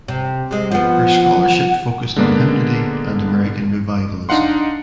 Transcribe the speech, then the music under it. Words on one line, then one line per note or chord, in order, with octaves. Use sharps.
Her scholarship focused on hymnody and American revivalism.
C3
C3 G#3
F3 B3 F#5
D3 G#3 A#3 B3 D4
D4 D#4 F5 F#5 C6